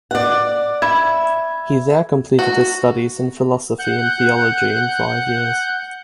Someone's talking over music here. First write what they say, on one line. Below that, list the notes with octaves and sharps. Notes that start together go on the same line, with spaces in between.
He there completed his studies in philosophy and theology in five years.
D5 F#5
E5 B5 G#6
F#4
F#5 F#6 G6